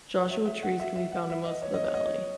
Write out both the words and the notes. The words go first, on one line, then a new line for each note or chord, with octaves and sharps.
Joshua Trees can be found in most of the valley.
F#5
E5
E5
F#5
E5
E5
F#5
E5
D#5
C#5
D#5
C#5
D#5
C#5